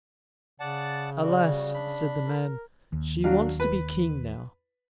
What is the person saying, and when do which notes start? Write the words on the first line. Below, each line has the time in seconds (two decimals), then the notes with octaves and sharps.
"Alas," said the man, "she wants to be king now."
0.60 C#3 D5 F#5 A5
1.23 G3 F#4 D5
1.74 D4 B5
2.26 A#4
2.93 D#2
3.24 F#3 D4 F5
3.60 B4